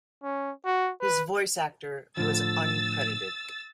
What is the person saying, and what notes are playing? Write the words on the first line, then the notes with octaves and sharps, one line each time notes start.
His voice actor was uncredited.
C#4
F#4
B4
A2 D3 F3 E6 A6